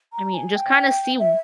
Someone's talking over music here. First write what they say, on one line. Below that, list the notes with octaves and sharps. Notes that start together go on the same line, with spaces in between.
I mean, just kinda see w
A#5
G#5
G5
E5